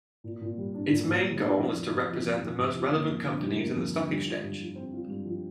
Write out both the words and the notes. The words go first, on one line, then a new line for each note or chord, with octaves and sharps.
Its main goal is to represent the most relevant companies in the stock exchange.
A#2
A#2
G3
D4
A#2
A#2
G3
D4
F2
F2
C3
F3
F2
F2
C3
F3
A#3
F2
D3
G3
A#3
F2
D3
G3
F4
G2
F3
C4
F4
G2
F3